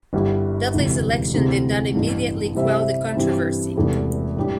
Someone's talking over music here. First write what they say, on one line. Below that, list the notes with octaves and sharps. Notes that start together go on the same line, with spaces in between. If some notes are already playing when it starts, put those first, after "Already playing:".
Dudley's election did not immediately quell the controversy.
G1 G2 G3 E4 G4
E1 D2 C3 E3
D2 C3 E3 C4
A1 G2 E3
C3 G3 E4 C5 E5
G2 E3 C4 E4 G4
E1 E2 C3 A3 E4
A2 G3 D4 G4